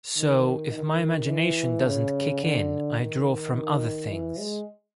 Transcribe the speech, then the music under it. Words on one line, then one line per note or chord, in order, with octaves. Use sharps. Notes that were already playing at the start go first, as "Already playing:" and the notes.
So if my imagination doesn't kick in, I draw from other things.
D#3
D#3
E3
C#3
D3
D#3
D#3
E3
G#3